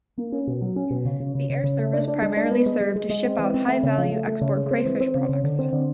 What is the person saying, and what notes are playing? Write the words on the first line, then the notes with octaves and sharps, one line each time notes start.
The air service primarily served to ship out high-value export crayfish products.
A#3
C#4
B2
F#3
C#4
B2
C#3
C#3
C#3
C#3
C#3
A3
D4
D4
G#3
D4
B3
G#3
G#3
G#3
G#3
C4
E3
C4
A3
C#3
F3
A3
A3
C#3
G#3
C4
E3
C4
C#3
C#3
D3
C4
D3